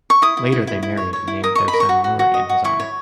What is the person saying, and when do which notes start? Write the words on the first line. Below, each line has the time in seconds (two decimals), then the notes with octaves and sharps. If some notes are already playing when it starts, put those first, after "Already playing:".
Later they married and named their son Nuri in his honor.
0.10 C#6
0.22 E4 D#6
0.37 E4
0.52 E4
0.67 E4
0.83 E4
0.97 C#5
1.13 C#5
1.28 E4
1.43 A#4 D#6
1.55 D#5 C#6
1.68 B5
1.73 A#4
1.80 C#6
1.89 F#4
2.04 F#4
2.19 F#4
2.34 D#5
2.49 F#4
2.64 E4 C#6
2.80 C#5